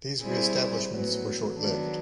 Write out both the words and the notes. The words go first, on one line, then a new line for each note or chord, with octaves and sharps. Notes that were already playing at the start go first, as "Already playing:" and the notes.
These re-establishments were short lived.
G3 C4 E4 G#4
A2 F#3 B3
D#3 F#3 B3 D4